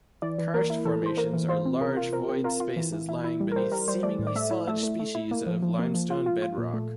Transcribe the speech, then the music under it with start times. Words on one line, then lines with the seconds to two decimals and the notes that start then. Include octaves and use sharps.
Karst formations are large void spaces lying beneath seemingly solid species of limestone bedrock.
0.22 E3 D5
0.38 E3
0.54 A#3 A#4
0.70 E4
0.85 E3 A4
1.02 E3 C5
1.17 A#3 A#4
1.33 E3
1.49 F4 C5
1.65 C4
1.81 C3 A#4
1.97 F4
2.13 C4 A#4
2.29 C4
2.44 F4 A#4
2.60 F4
2.76 E3
2.92 E3
3.09 E4
3.24 E4
3.40 G3
3.52 A#4
3.56 G3 C5
3.72 G3 A#4
3.88 G3 C5
4.03 A3 D5
4.19 A2
4.27 D5
4.35 A3 E5
4.51 E4
4.67 A3 E5
4.83 A3
4.99 A3
5.15 E4
5.31 A#3
5.46 F3
5.62 F3
5.79 A#3
5.94 F3
6.10 F4
6.26 F4
6.42 F4
6.58 A#2
6.74 A3